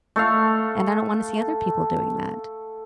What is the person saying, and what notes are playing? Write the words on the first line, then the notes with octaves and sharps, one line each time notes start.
and I don't wanna see other people doing that.
A3 A4 F5